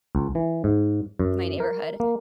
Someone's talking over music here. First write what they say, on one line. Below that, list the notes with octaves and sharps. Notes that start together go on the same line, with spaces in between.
my neighborhood,
C#2
E3
G#2
F#2
A#4
A#3